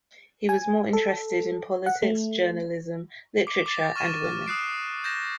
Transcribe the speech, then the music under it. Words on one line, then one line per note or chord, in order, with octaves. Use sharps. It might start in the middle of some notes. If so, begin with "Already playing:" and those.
He was more interested in politics, journalism, literature and women.
G#5
A4
F#5
A3
D6
D6 A6 A#6
C#6 F6 A6 D#7 E7
F6
D#6 F#6 C7 D7
G6 A6 A#6 E7